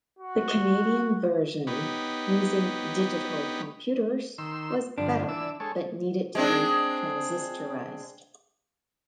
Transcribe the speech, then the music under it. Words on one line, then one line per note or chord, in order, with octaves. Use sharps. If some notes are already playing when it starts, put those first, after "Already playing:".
The Canadian version, using digital computers, was better, but needed to be transistorized.
F#4
B3 D#4 G4 B4 C#5
D#3 C6 E6
G2 D3 F3 D4
E3 D5 E6
G#3 A4 C#5
G#3 C4 D4